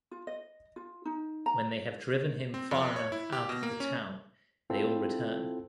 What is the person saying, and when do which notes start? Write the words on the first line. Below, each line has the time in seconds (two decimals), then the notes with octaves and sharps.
When they have driven him far enough out of the town, they all return.
0.11 F4
0.27 D#5
0.76 F4
1.05 D#4
1.46 A#5
2.54 C4
2.71 F2
2.96 C#5
3.12 E4
3.32 G4
3.49 B2
3.63 A#3
3.80 C#4
4.70 C4 E4 F4 A4